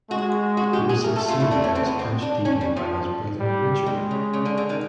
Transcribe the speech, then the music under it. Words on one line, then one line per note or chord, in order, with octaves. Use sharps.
He was succeeded as Archdeacon by his brother Richard.
G#3 F#4
F#4
G4
G#4
A3 A#4
A4
F4
E4
D4
C#4
C4
B3
C4
D4
C#4
G3
F3
G3
D#3 G#3
C#3
C#3
D3
D3
D#3